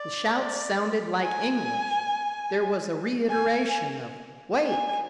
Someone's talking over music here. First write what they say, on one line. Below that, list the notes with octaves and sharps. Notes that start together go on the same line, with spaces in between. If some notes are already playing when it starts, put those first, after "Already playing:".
The shouts sounded like English, there was a reiteration of "Wake!"
Already playing: D5
G#5
G#5
G#5